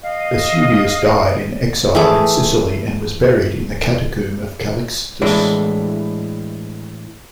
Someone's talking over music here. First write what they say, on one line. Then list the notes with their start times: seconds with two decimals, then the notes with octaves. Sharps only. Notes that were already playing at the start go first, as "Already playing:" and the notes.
Eusebius died in exile in Sicily and was buried in the catacomb of Callixtus.
0.03 D#5 F5
1.95 E3 A3 G#4 D6
5.22 A2 E3 G#3 D4